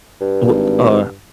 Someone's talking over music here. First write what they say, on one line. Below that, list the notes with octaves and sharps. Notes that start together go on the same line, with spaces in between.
wh or
G2
G#1